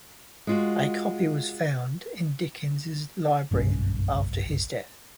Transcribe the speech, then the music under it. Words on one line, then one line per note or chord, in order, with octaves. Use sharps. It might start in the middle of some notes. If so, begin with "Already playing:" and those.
A copy was found in Dickens's library after his death.
G#3 F4 F#4
F#1 B1 G2 C#4